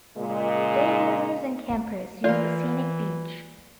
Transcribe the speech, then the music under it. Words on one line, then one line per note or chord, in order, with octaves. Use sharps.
Day users and campers use the scenic beach.
A#2 C#3 G#3
E3 A#3 F4 D5